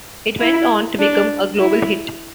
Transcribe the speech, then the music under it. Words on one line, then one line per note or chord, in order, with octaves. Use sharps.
It went on to become a global hit.
E4
D4
E4